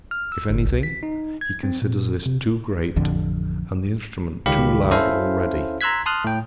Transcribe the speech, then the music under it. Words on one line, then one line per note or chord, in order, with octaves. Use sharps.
If anything, he considers this too great and the instrument too loud already.
F6
E6
G1
C2
B6
D#4
G#6
C4
A#2
C3
A1 F2 D3
C#2 D#3 G4 F5 B5
C#4 E4 A4 C5 E5 F5
A#5 C6 E6 F#6 G#6 B6
A5 C6 D#6 F6 F#6
A2 G5